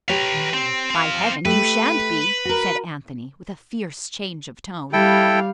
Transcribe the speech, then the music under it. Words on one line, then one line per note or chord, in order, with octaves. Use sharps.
"No; by Heaven, you shan't be!" said Anthony, with a fierce change of tone.
G4 B4 C#5 A#5
C4
C4 F5
A3 G4 B4
F#4 A#4
G3 E4 A4 F5 G5